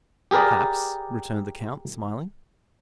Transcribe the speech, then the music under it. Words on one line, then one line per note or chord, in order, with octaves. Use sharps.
"Perhaps," returned the count, smiling.
G4 G#4 A#4 B4 D5